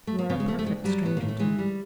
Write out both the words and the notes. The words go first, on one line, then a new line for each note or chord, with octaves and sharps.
"You are a perfect stranger to me."
A3
A#3
C#3 B3
G#3
F3 A3
A3
D2 G#3
F#3 G3
A2 B3
A#3
A2
A3
E3 G#3
G3